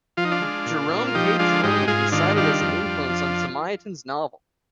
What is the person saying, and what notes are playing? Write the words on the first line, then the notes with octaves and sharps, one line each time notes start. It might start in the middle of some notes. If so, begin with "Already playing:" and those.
Jerome K. Jerome has been cited as an influence on Zamyatin's novel.
F3 F4
D#4
D4 F4
G#3
A#2
A#2
F4
F3 D#4 G4
G#3 D4 F4
G#2 D#4 G4
G#2 F4 G#4
D#3 D4 F4
G3 D4 F4
F2
F2
F3